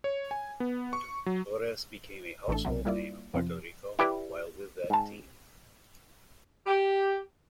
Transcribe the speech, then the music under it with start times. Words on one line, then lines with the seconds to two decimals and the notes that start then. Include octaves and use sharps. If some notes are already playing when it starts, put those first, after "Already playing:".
Torres became a household name in Puerto Rico while with that team.
0.04 C#5
0.31 G#5
0.60 B3
0.93 C#6
1.26 F#3
2.48 A1 E3 A3 D4 A4
2.65 B1 C3 F#3
2.85 G3 A#3 E4 F4 D5
3.34 F2 C3 F3 C4
3.99 E4 G4 B4 D5
4.90 G#2 A5
6.66 G4